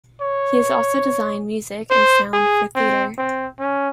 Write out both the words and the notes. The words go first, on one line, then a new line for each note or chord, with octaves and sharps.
He has also designed music and sound for theatre.
C#5
C5
G#4
C4
C4
C#4